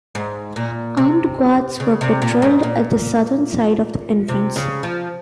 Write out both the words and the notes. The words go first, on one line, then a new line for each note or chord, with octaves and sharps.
Armed guards were patrolled at the southern side of the entrance.
G#2
A#2
C3
C#3
C3
A#2
G#2
A#2
C3
C#3
F3